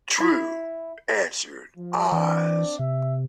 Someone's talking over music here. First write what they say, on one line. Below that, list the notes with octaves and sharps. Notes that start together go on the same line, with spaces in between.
"True," answered Oz.
E4
F3
E3 C4 D4 D5
C3 E5